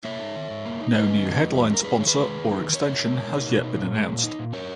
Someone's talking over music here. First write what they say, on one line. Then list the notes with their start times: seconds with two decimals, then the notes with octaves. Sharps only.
No new headline sponsor or extension has yet been announced.
0.05 A#3 C#5 E5
0.19 D#4
0.36 D#3
0.50 G#2
0.66 A#3
0.80 D#4
0.94 G3 B4 D#5
1.10 C#4
1.25 D#3
1.40 E2
1.55 G3
1.69 C#4 A#4
1.84 D#4 G#4 B4
1.99 D#3 C#5
2.07 G#4 B4
2.15 G#3
2.29 D#3
2.45 D#4
2.59 D#3
2.74 D#4 A#4 C#5
2.89 B2
3.04 G#3
3.19 B2
3.34 D#4
3.49 B2
3.63 D#4
3.79 A#2
3.94 G#3
4.08 A#2
4.24 D#4
4.39 A#2
4.53 C#4 A#4 C#5